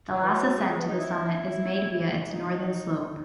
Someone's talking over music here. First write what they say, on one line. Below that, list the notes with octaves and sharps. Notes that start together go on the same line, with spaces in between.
The last ascent to the summit is made via its northern slope.
F#3
E3
F#3
G#3
G#3
B3
D#4
E4
D#4